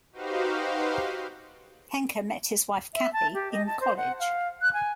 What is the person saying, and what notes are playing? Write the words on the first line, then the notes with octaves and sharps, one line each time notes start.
Henke met his wife Kathy in college.
D#4 F#4 G4 B4 C5 F5
E5
A5
G4
D#5
A5
C5
F#5
F5
F#6
G#5